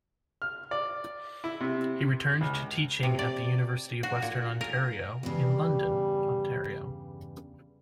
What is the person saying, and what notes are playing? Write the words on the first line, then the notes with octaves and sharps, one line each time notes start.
He returned to teaching at the University of Western Ontario, in London, Ontario.
F6
D5
E4
C3
C#2
C3
D5
F#4
A#2
A#4
E2 G2 C#3 G3